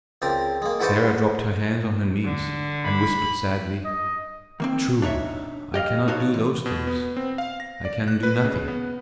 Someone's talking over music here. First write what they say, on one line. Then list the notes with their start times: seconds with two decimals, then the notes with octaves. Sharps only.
Sarah dropped her hands on her knees, and whispered sadly, "True, I cannot do those things--I can do nothing."
0.22 C#2 C4 D4 A#4
0.62 G#3 A#3
0.80 G#2 E4 F#4 B4 C5 D5
2.25 D3
2.84 B5
3.85 D#5
4.60 D#3 A#3 C4
5.02 D4 D#4 C#5 E5
5.74 G4 D#5 F5
6.08 D#4 F#4 A4 C5 C#5
6.34 E2
6.66 B2
6.87 B3
7.17 C4
7.38 F5
7.60 A#6
7.85 D5
8.08 F#6
8.23 B4
8.44 C#3
8.68 B3